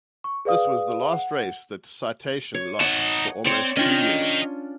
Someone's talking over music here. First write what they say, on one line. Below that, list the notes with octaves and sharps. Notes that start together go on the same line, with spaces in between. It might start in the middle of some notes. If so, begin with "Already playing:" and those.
This was the last race that Citation lost for almost two years.
C#6
G#4 B4 D5 F5 D#6
F#5
C#5
D#4 F#5 A5
C4 C#5 D5
C#4 D4 F4 D#5 G5